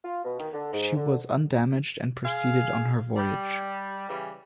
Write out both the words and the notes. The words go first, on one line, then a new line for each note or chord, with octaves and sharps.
She was undamaged and proceeded on her voyage.
F4
B2
D#3
D3
G#2
D3
G#4 F5
G3
C#3 E3 G3